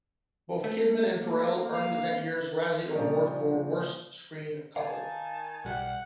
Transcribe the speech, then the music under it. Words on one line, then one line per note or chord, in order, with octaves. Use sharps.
Both Kidman and Ferrell earned that year's Razzie Award for "Worst Screen Couple".
A3
A#3
F5
A#2 C#3 F3 G3
D#3 F5 G#5 A5
B1 G3 G4 F#5